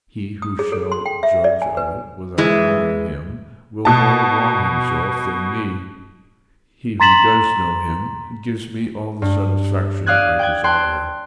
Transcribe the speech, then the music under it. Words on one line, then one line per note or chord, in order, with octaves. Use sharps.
He who shall judge of it without knowing him, will more wrong himself than me; he who does know him, gives me all the satisfaction I desire.
D#6
G#4
A4
C6
G5
E5
D5
G#5
B4
E3 G#3
B2 A5
A#5 C6 A6 B6 E7 F#7
G2
D5 F5 D#6 F#6 G#6
G5 F#6 G#6
G5 A5 C6 F#6